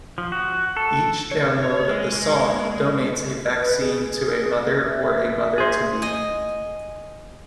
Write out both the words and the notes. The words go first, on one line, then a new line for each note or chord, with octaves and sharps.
Each download of the song donates a vaccine to a mother or a mother-to-be.
F3
F#4
A4
C#5
G#3
B4
G#4
E5
G#4 C5
D#5 G#5